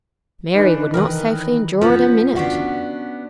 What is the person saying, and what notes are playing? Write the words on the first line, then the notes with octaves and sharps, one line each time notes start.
Mary would not safely endure it a minute.
E3 D4 D#4 B4
D#3 E3 A#4 B4
F3 C#4 B4 F#5
B3 C#4 D4 F#4